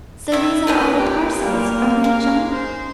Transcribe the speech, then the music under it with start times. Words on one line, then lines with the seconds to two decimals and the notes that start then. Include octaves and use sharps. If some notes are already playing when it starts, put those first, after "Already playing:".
"So these are all the parcels, are they, John?"
0.32 D#3 E4 E5
0.67 A#2 B3 D#4 B4
0.98 G4
1.41 G3 A#3
2.04 G#3 A#4 F5
2.52 C5